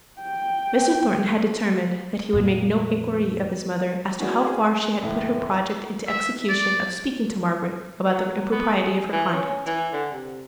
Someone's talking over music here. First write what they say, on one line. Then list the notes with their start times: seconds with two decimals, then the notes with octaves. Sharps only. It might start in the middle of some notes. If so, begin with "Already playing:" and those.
Mr. Thornton had determined that he would make no inquiry of his mother as to how far she had put her project into execution of speaking to Margaret about the impropriety of her conduct.
0.22 G5
2.33 F2 A#2
4.19 B3 C#4 E4 F#4 G#4 D5
4.47 G#4
5.02 F#1 A2 E3
6.07 E5
6.49 D5
8.10 F#3
8.52 B3
8.75 G#4
9.12 E3
9.33 C#4
9.66 E3
9.93 D3
10.12 C3